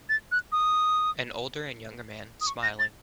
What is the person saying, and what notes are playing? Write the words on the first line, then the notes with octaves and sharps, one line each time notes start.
An older and younger man smiling.
A6
F#6
D#6
D#6
C#6
A#6
A6